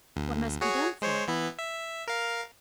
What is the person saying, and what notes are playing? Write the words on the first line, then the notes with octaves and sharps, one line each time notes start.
"What must be done for it?"
D2
F#4 G#4 C#5
G#3 C5 C#5
E3 B3 E4
E5
A#4 F5